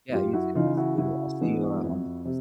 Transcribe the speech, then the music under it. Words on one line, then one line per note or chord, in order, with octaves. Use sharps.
Yeah, you too, I'll see you I'll see you, uh, on the flip side.
F#2 F4 G4
E4 F#4
C#3 E3 D#4 F4
E4 F#4
C#3 E4 F#4
E3 G#3 B3 D4
F2
C3